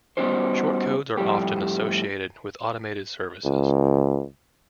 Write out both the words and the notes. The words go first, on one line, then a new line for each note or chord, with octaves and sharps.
Short codes are often associated with automated services.
G3 B3 C#4 D#4 F#4 C5
F2 A2 G3 A3 G4
C#2